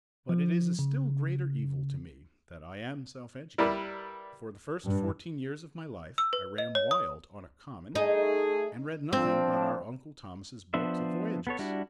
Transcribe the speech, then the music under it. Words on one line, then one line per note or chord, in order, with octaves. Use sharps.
But it is a still greater evil to me that I am self-educated: for the first fourteen years of my life I ran wild on a common and read nothing but our Uncle Thomas' books of voyages.
F3
C#3
G3 E4 A#4 B4 D5
G2
E6
B4
D#5
C#5
D#6
A3 D#4 G#4
F3 C4 D4
F3 B3 D4 C5 E5
B3 A4 C#5
G3 D4 E4 F#4